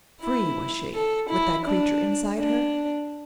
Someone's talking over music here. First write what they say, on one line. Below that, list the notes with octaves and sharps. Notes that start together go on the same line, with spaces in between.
FREE was she, with that creature inside her?
E4
A4
E4
D4
D4